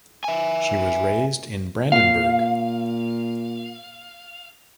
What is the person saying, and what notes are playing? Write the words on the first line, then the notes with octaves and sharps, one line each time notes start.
She was raised in Brandenburg.
E5 G#5
A#2 F5